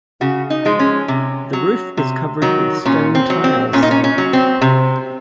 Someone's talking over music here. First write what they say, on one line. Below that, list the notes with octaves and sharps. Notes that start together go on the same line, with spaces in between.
The roof is covered with stone tiles.
C#3 F#4
D#4
F3 G#3
C#4
C3
F#3
C3
D#3 F#3
A#2 C#4
C4
F#3
C4
A#2 C#4
D#4
C#4
C#4
F#3
C4
C3